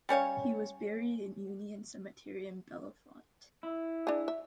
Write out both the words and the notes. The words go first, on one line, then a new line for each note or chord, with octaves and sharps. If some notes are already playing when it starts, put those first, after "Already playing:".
He was buried in Union Cemetery in Bellefonte.
G3 C#4 C#5 F5
E4
D4 G#4
E5